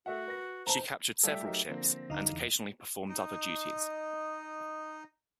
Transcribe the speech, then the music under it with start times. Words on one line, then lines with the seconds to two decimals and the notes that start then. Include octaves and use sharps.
She captured several ships, and occasionally performed other duties.
0.06 A3 F#4 E5 F#5
0.28 B4 A#6
0.66 F1 C5 A5 A#5
1.24 G3 A3 F4 G4 A4 E5
1.46 F#3 D#4 A#4
1.69 D3 F3 A#3 C4
2.10 D1 D3 D#4 D#5 F5 A#5
2.32 E2
3.09 D#4 D#5